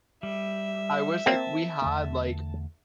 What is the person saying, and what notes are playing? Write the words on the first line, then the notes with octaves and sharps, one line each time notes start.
I wish, like, we had, like
G3 E5
A#3 C4 A5
E2 D3 A3